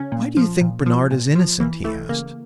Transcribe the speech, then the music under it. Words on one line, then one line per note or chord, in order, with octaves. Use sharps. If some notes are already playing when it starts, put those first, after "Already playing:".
"Why do you think Bernard is innocent?" he asked.
Already playing: C#3 C#4
A#2
F3
A#2
F3
A#2
F3
E3 A#3
E3 A3
C#3 A#3